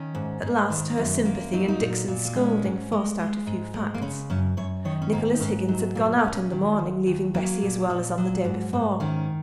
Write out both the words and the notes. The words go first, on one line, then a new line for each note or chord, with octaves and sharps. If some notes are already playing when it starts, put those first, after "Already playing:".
At last, her sympathy, and Dixon's scolding, forced out a few facts. Nicholas Higgins had gone out in the morning, leaving Bessy as well as on the day before.
Already playing: D#3 C#4
G#2
G#2
D#3
F#2
A#3
F#3 D#4
F#4
D#4
A#2
A#2
A#3
G#3 C#4
G#2
G#3
G#3
G#2
G#3
A#3
C#3 C#4
F#2 C#4
F#2 C#5
D#3 C#5
C#4
G#2 A#3
D#4
G#2 C#4
F#3 D#4
A#2 A#3
A#2 C#4
D#3
D#2
D#2
F#3 A#3
A#2
A#2
F#3
G#2
G#2
D#3 C#4